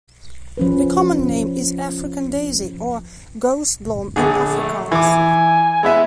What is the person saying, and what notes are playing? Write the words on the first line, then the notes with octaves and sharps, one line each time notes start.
The common name is "African daisy", or "Gousblom" in Afrikaans.
F3 C#4 B4
A#1 D3 G#4
A3
E3 G#5 D6
G#3 B3 E4 E5